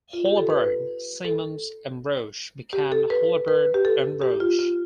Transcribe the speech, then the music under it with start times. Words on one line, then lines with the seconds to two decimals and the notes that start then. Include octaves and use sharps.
Holabird, Simonds and Roche became Holabird and Roche.
0.13 F4
0.26 G4
0.37 A4
0.50 B4
1.25 A4
2.73 G4
2.92 A4
3.10 B4
3.48 B4
3.74 G4
3.85 A4
4.22 G4
4.40 F4
4.59 F4